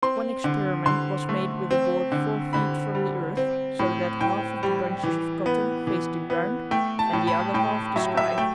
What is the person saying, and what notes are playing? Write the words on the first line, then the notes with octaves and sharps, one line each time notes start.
One experiment was made with a board four feet from the earth, so that half of the bunches of cotton faced the ground and the other half the sky.
C4 C6
D3
D3 C6
A3
C4
D3
D3 B5
G3
C4
A2
A2 G5
G3
E3
B3
E3
B3
A3 G5
A5
A2
B5
A2 G5
F#3 E5
E5
A3 G5